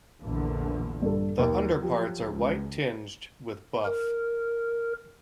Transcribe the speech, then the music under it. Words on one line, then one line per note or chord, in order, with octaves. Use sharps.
The underparts are white tinged with buff.
A#1 E2 D3
G2 A4
D#2 F#3
F3 G4
C#2
A#4